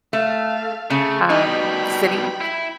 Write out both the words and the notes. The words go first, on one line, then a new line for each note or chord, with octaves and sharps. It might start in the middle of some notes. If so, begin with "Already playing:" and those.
um, city.
A3 F5
C#3 A3
B2 G3 D#4 G5 B5
E4